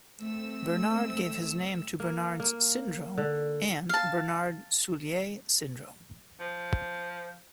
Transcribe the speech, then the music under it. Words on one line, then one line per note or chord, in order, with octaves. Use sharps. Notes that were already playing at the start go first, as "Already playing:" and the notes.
Bernard gave his name to Bernard's syndrome and Bernard-Soulier syndrome.
A3 C4 E6
A#3
A#3
D3
F5 A5
F3